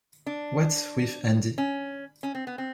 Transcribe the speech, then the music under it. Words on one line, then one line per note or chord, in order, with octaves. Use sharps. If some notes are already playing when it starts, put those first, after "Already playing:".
What's with Andy?
D4
C#4
C#4
C4
B3
C4